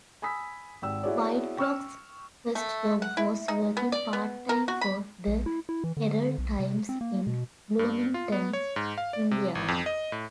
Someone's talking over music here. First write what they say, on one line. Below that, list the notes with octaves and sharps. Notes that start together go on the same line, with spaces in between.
Whitlock's first job was working part-time for "The Herald-Times" in Bloomington, Indiana.
G#5 B5 D#6 E6 B6
G#1 G5 E6
E4 F#4 G#4 C#5 D5
G5 C#6 E6 F6
A3
F#5
E4
D#4
B3
D5
B3
A#4
F#4
B5
A#1
E4
E4
E3
D3
B1
C3
C4
A#3
B2
G2
F4
B3
C#5
G#2
F5
D5
C3
G#1
F2
D#5
A2